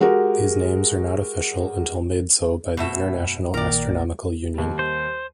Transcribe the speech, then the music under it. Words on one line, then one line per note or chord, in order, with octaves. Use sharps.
These names are not official until made so by the International Astronomical Union.
G#3 F#4 G4 A#4
F#2 B2 A3 E5
A#1 A#2 D#3 A#4 D5
D#2 G3
C5